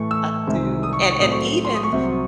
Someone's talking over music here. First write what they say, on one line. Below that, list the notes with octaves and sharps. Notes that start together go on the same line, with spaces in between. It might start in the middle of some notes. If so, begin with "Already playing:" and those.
I do. And and even
Already playing: A2 E3 A3 C#6
E6
C2 C3 D#3 G#3 C4
D#6
C#6
D#6
C#6
A2 F#3 C4 D#6
C#6
C6
D#6
C#6
C2 C3 F#3 C4